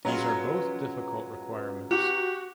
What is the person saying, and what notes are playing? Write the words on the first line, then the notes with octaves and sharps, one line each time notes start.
These are both difficult requirements.
F#3 G#3 C#4 F4 B4 A#5
F#4 G4